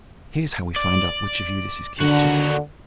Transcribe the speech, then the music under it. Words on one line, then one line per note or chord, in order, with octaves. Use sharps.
"Here's how we find out which of you this is keyed to."
D5
D#2 D3 F#4